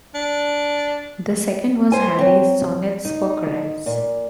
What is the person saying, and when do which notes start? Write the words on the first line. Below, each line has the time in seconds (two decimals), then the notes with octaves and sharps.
The second was Harry's "Sonnets for Caresse".
0.14 D4
1.92 C5 G#5
2.19 F#3 C4
3.05 D#4
3.86 A#2